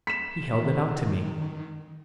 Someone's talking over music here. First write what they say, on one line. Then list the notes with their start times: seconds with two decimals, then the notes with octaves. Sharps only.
He held it out to me.
0.07 B6 E7
0.53 D#3